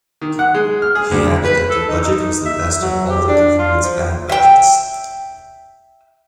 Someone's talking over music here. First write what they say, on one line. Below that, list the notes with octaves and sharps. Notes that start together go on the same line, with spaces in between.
He added that the budget was the best of all the government's bad budgets.
D#3
F#5
G#3
F6
G#4
D2
B4
A4
D#4
D#4
E5
F#3
G4
D4
F4
F3
E5 G5